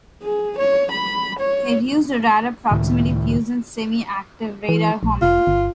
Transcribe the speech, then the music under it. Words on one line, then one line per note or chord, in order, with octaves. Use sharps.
It used a radar proximity fuze and semi-active radar homing.
G#4
C#5
B5
C#5
C#2 A2 D#3
E3
A#1
F1 F4
G1